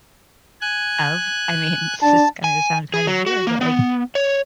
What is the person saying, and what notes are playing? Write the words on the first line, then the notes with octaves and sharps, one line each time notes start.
of I mean, this is gonna sound kind of weird, but, like,
G#5 F#6
D4 A5
G#5
G#4
F#3
F#4
A#3
B3
C#5